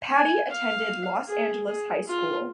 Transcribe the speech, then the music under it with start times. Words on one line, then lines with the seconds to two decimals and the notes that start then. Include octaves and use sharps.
Patty attended Los Angeles High School.
0.11 G#5
0.50 F5
1.28 G#4
1.68 G#4
2.07 F4